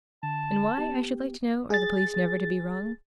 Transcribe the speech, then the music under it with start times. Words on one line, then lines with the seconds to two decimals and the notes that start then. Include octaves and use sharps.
And why, I should like to know, are the police never to be wrong?
0.23 D3 A5
0.78 B3 G4
1.70 G#4 A6